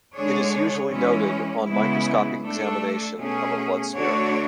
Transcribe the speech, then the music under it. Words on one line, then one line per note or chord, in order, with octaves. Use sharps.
It is usually noted on microscopic examination of a blood smear.
D3 G#3 D4 G#4 C#5
E3 G#3 C#4
C#3 G#3 B3 E4
A3 D4 A4
B2 A3 C#4 G#4
D3 A3 D4 F#4 C#5